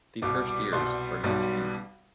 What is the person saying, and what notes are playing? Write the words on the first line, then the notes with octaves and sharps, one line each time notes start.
The first years were not easy.
C2 B2 G3 D6
D6
C2 B2 G3 C6
B1 B2 G3